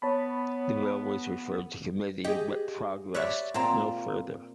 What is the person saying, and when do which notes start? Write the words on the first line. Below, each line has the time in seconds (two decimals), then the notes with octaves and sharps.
The bill was referred to committee, but progressed no further.
0.02 B3 C#5 A5 B5
2.24 G4 G#4 D#5
3.14 B4 C#5 D5 E5
3.54 A#2 C4 F4 A5 A#5